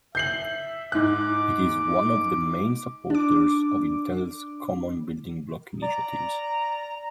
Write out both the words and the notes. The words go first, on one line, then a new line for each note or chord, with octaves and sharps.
It is one of the main supporters of Intel's Common Building Block initiatives.
E5 G6 C7 F#7
G#2 D6 F#6
D4 D6
D5 A#5